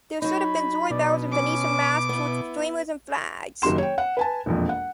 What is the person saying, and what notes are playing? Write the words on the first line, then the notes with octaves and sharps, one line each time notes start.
There should have been joy-bells and Venetian masts with streamers and flags.
F#3 D#4 B5
B2 D5
C#4 D6
B3 E4
F#1 D#3 F#3 G4 C6 E7
C#5 G5
F#5
B4 G#5 A5
E1 A#1 F2
F#5